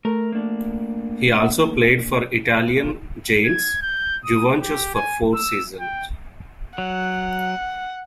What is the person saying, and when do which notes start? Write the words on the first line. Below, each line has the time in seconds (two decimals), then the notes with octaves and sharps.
He also played for Italian giants Juventus for four seasons.
0.05 A3 A#4
0.32 A#3 D4
2.77 A#2 F4
3.45 G#6
3.82 G6
4.25 D#6
4.60 G4
4.94 G#5
5.35 E6
5.80 G5
6.78 F#3 F#5